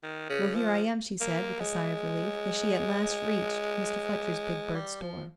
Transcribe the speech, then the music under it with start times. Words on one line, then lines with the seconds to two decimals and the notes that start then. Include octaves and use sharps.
"Well, here I am," she said with a sigh of relief, as she at last reached Mr. Fletcher's big bird store.
0.03 D#3
0.29 C#3
0.55 F3
1.21 A#3
1.60 G#3
4.75 G3
5.01 F3